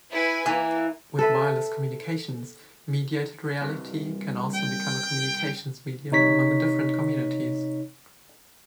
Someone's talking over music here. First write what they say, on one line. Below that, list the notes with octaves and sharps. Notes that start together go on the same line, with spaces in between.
With wireless communications, mediated reality can also become a communications medium among different communities.
E4 B4 G#5
E3 A#3
A4 B4 E5
C2 G2
G5
C3 D#4 C#5 B6